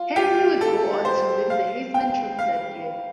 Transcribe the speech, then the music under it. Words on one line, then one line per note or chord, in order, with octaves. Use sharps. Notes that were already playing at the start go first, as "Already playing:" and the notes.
Henry would go on to win the Heisman Trophy that year.
Already playing: F4
G4
A4
C5
F5
G5
F5